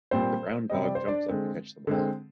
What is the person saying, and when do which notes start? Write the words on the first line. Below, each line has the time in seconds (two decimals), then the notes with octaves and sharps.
The brown dog jumps up to catch the ball.
0.11 A#2 G3 C4 C5
0.70 C3 G3 C4 D#5
0.83 D5
0.95 C5
1.08 D4 D5
1.29 D3 G#3 C4
1.87 D3 G#3 C4